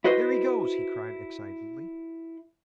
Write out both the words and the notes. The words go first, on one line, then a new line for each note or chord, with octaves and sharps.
"There he goes!" he cried excitedly.
E4 F#4 B4 C5 D#5